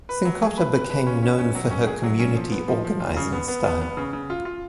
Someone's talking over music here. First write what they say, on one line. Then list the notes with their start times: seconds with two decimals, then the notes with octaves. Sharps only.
Cincotta became known for her community organizing style.
0.09 B4
0.25 F#3
0.42 G#4
0.57 B4
0.74 B4
0.90 B4
1.07 C#4
1.23 C#4
1.38 C#4
1.55 F#3
1.71 C#4
1.87 G#4
2.04 F#3
2.19 C#4
2.36 F3
2.52 B3
2.68 F3
2.85 F3
3.00 F4
3.17 C#3
3.32 B3
3.48 B3
3.65 B3
3.81 B3
3.97 C#3
4.13 C#3
4.30 F4
4.45 F4